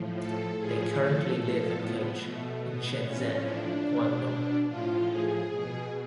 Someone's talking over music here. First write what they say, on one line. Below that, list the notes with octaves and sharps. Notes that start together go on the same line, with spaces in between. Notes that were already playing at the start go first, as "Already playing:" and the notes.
They currently live and coach in Shenzhen, Guangdong.
Already playing: A2 F3
A4
A2 F3 G#4
A4
A2 F3 A4
B3
B2 A3
B3
A2 F3 C#4
D4
B2
A2 F3 F4
G#4
B2 G#4